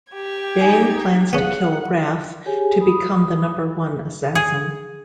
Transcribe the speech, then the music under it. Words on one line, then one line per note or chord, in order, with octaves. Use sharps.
Bain plans to kill Rath to become the number one assassin.
G4 G#6
D#4 G#5
B3 C#4 G#4 F5 F#5
G4 G#4 C#5 G#5
B5 D#6
G#4